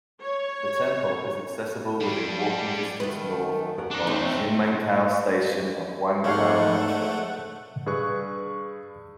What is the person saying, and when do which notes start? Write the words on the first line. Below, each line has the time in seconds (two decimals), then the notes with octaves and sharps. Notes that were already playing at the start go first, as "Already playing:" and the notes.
The temple is accessible within walking distance north of Ximenkou Station of Guangzhou Metro.
0.22 C#5
2.00 G3 D4
3.00 D#3 A3 B4
3.78 F#2 A#4 F#5
3.91 D4 D#4
4.07 C3 A3 C4 C#4 D#4
6.24 G#2 A3 G4 C#5 F5 F#5
7.86 G2 G#4 B4 C#6 F#6